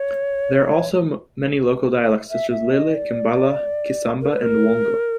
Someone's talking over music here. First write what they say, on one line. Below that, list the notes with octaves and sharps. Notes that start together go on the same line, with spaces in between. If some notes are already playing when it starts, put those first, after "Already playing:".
There are also many local dialects such as Lele, Kimbala, Kisamba, and Wongo.
Already playing: C#5
E5
E5
D#5
D5
A#4
B4
A#4